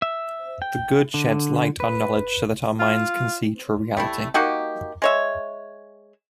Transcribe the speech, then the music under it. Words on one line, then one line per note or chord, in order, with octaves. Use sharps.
The Good "sheds light" on knowledge so that our minds can see true reality.
E5
G5
D3
B4
F4
G3 A3 E4
A#3 D#4 F#4 G4
G#3 C#5 E5